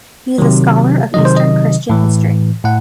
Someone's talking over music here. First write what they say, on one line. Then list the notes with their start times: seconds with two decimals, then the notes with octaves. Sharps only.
He is a scholar of Eastern Christian history.
0.38 C3 D#3 F#3
1.14 C3 D#3 F#3 D#5
1.25 C5
1.37 D#5
1.89 A2 E3
2.65 A2 F#5